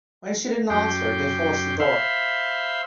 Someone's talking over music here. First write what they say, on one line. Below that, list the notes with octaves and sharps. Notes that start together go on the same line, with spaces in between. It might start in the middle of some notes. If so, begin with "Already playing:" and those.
When she didn't answer, they forced the door.
F#2 G4 G5 C6
C5 E5 F5 B5 C6